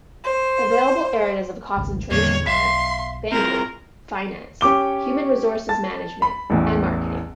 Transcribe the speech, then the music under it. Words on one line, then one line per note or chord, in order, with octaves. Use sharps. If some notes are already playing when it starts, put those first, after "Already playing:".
Available areas of concentration are: banking, finance, human resources management, and marketing.
C5
G#1 C#2
E2 A2 D3 G3 A#3 C#5
B1 E5 F5 C6
C4 F4 G#4 A#4
C#4 G4 D6 G7
A5 A6
B5
A1 E2 A2